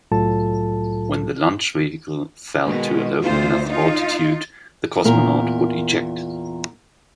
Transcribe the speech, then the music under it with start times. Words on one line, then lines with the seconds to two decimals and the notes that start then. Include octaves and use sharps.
When the launch vehicle fell to a low enough altitude, the cosmonaut would eject.
0.12 C2 A2 F#3 F4 A4 A5
2.66 B2 D#3 G#3
3.21 D2 F4 C5
3.67 D#4 F4
5.04 E2 A#2 A#4